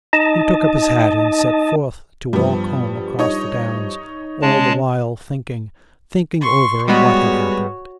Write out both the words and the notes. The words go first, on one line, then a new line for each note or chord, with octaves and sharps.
He took up his hat and set forth to walk home across the downs, all the while thinking, thinking over what had happened.
D#4 D#5 A5
G2 F3 G3 B3
D#4 C#5 D#5
C#3 G#3 C#4 A5
C6 C#6
G3 G#3 B3 F#4 C#5